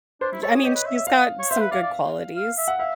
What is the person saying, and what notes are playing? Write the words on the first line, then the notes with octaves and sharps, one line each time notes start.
I mean, she's got some good qualities.
D4 C5
E4
A4 C#5
G#4
G4 D#5
B4
E5
E5
F5
D#5
C#5
C5 E5
B4
D5 F5
D5
F5
E5
F#5
E5 F5